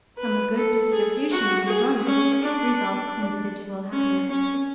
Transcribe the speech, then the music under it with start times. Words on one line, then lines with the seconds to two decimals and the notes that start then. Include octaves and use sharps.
From a good distribution of enjoyments results individual happiness.
0.18 B4
0.56 A4
0.93 G#4
1.31 F#4
1.68 G#4
2.06 C#4
2.43 D4
3.93 C#4
4.30 C#4